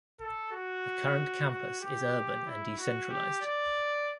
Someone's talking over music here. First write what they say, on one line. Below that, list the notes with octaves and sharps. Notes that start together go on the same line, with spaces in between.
The current campus is urban and decentralized.
A4
F#4
F#4
G4
E4
F#4
G4
D5